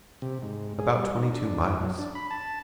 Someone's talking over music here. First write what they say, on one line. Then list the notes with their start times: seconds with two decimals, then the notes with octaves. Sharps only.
'About twenty-two miles.
0.22 C3
0.42 G#2
0.79 G#4
0.97 G3
1.17 D#4
1.33 D4
1.81 F#3
1.99 D4
2.15 B5
2.31 A5